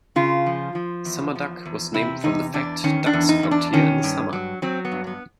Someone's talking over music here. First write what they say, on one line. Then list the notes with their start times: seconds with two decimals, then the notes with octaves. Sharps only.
Sumerduck was named from the fact ducks flocked here in the summer.
0.16 C#3 F4
0.46 F3
0.75 F3
1.05 E2
1.35 F3
1.65 E2
1.94 C3 E4
2.24 E2 D#4
2.54 E2 D4
2.84 D#3 C#4
3.06 D4
3.13 E2
3.29 D#4
3.43 E2
3.51 D4
3.73 D#3 C#4
4.03 G2
4.33 F#3
4.62 F#3 C4
4.85 B3
4.92 G2
5.07 B3